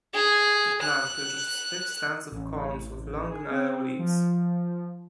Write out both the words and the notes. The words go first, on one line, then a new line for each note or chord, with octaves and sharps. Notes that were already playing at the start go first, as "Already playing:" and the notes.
The plant produces thick stands of culms with long narrow leaves.
G#4
F#6
A1
G#4
C4
F3